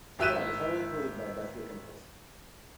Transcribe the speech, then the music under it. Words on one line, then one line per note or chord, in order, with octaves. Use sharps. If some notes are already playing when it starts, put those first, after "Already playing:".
Turag is heavily polluted by industrial chemicals.
G#1 G4 E5 F#6 D#7 E7